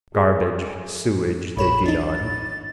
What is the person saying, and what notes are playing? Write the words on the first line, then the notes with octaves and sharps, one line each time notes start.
Garbage, sewage they feed on.
G#4
A#1 C#5 B5 E7
D4 D#4 A6